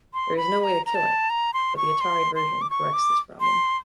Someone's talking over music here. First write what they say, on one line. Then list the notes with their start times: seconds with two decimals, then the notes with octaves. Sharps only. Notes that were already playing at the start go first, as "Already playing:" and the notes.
There is no way to kill it, but the Atari version corrects this problem.
0.14 C6
0.37 B5
0.60 B5
0.64 A#5
0.86 A#5
0.95 A5
1.30 A#5
1.54 C6
1.77 C#6
2.01 C6
2.35 C6
2.62 D6
2.70 C#6
2.93 D6
3.40 C6